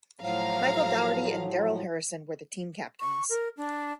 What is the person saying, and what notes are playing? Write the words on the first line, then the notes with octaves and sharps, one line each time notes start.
Michael Dougherty and Darrell Harrison were the team captains.
A2 F3 F#3 F5 A#5
C#6
A#4
D4